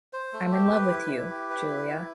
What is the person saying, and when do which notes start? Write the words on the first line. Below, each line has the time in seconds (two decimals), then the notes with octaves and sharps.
I’m in love with you, Julia.
0.13 C5
0.33 A3
0.52 G4
0.71 B4
0.91 E4
1.11 E4
1.30 G4
1.50 B4
1.69 E4
1.89 E4